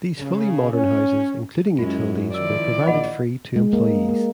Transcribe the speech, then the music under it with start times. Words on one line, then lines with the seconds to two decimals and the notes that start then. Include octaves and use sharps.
These fully modern houses, including utilities, were provided free to employees.
0.18 C#3
0.73 C#4
1.79 F#2 G#3 C#4 E4 F4
2.34 D#3 F3 E4 D5 E6
2.86 A#1 D#5 F#5 B5
3.56 G#3
3.73 A#3
4.09 A#3